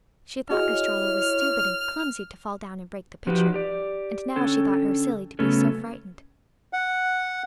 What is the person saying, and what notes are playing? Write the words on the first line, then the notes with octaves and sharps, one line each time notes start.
She thought Estralla was stupid and clumsy to fall down and break the pitcher, and now she thought her silly to be so frightened.
E4 F#4 G#4 C#5 D#5 F6
F3 D#4 F#4 G4 B4
G4 D5
D3 C#4 A4 G5
C#3 F#3 A3 B3 C#4 A4
F#5